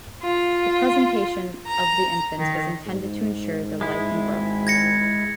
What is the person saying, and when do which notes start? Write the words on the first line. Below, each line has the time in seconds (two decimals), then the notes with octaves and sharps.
The presentation of the infants was intended to ensure their life and growth.
0.23 F4
1.67 A#5
2.39 D#3
2.86 G#2
3.81 G#3 E4
4.15 G#1
4.67 G#6 A#6 C#7